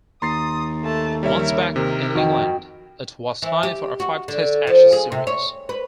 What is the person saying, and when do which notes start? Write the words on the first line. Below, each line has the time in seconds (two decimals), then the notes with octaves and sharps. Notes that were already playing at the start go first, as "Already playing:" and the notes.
Once back in England, it was time for a five-Test Ashes series.
0.22 D#2 A#5 C6 D#6 A6 C7
0.84 A3 A5
1.23 G3 A#4 C#5 E5
1.76 C3 D#3 A#4
2.15 F2 D#3 F#4 D#5 G5
3.42 E3
3.63 G4
4.00 F#4
4.28 D3
4.67 F3
4.93 G#4
5.12 C3
5.27 C#5
5.69 B4